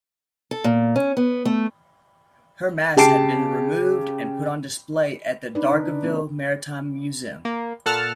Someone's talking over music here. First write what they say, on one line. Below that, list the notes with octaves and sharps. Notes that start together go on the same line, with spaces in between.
Her masts had been removed and put on display at the Dargaville Maritime Museum.
A4
A#2
C#4
B3
A3
C#3 G4 A5 C7 D7
D4 D#4 B4 D5
C#3
D4
A3 B3 C#4 F4
A#3
A#2 A4 F#5 A5 F6